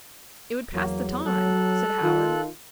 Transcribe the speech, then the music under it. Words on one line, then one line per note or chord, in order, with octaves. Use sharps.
"It would pass the time," said Howard.
E2 F#3 A#3
F#3 A4 F#6
D#3 F4